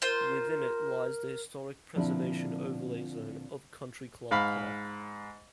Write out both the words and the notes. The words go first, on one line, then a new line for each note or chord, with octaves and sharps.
Within it lies the Historic Preservation Overlay Zone of Country Club Park.
F4 A#4 C5
A#2 D3 F3 C4 D4 E4
G#2 F5 B5